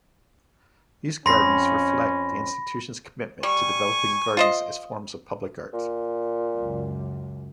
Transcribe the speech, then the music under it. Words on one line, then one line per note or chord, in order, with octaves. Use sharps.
These gardens reflect the institution's commitment to developing gardens as forms of public art.
F2 C#4 B5 C6 A#6
G3 G#5 C#6
F4 C5 D#5
A#2
C#2 F#2